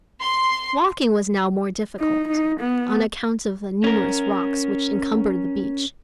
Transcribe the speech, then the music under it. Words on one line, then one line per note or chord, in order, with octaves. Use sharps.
Walking was now more difficult, on account of the numerous rocks which encumbered the beach.
C6
D#4
D#4
B3
C#4 A#4